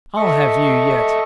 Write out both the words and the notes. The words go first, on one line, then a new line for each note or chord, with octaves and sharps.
"I'll have you yet."
A4 D#5 E5 C#6